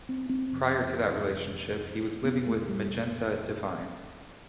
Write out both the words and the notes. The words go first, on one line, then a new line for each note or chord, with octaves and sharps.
Prior to that relationship, he was living with Magenta Devine.
C4
C4
F2 C3
F2 C3 B3
A3
G3